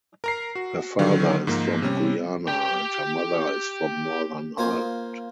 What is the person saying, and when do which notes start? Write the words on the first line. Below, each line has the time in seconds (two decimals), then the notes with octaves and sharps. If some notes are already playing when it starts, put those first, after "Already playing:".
Her father is from Guyana and her mother is from Northern Ireland.
0.24 A#4 A#5 C7
0.55 F#4
0.99 D3 D#3 F#3
1.47 G#2 F3 A#3
1.82 C3 G3 C#4
2.48 G4 G5
4.58 A#3 F4 C5 G#5